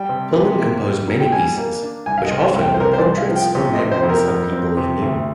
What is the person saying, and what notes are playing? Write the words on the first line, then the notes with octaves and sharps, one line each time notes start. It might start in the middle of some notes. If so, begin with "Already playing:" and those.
Pullen composed many pieces, which often were portraits or memories of people he knew.
Already playing: G3 G5
C3
C3
A#3
G3
A#2
G5
G3 G#5
A#3
D4
C2 G#5
F5
D#5
C3
C2
G5
C5
C3 A#4
C5
D5
C2
F5
F3
G5
C3
D#5
C3
C5
F2
A#4
F2
C4
C3
D2